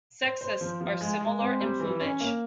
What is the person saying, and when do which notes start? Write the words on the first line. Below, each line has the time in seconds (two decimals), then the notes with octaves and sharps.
Sexes are similar in plumage.
0.22 C5
0.41 C5
0.61 F3
0.81 F3
1.01 G#3
1.21 G#3
1.40 C4
1.61 G3
1.80 E3
2.00 C#4
2.21 A#3